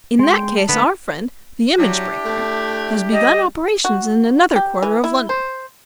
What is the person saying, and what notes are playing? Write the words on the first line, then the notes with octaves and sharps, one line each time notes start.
In that case our friend the image-breaker has begun operations in another quarter of London.
G#3 G5 C6
A5
D3 A3 B3
F#3 D4 E4 G4
A3
G3 D#5
F#4
G4
E3
E4
C5